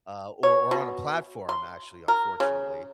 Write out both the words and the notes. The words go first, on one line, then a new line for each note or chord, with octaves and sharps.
uh, or or on a platform actually, unfortunately.
C#5
B2
C6
A#4
C#3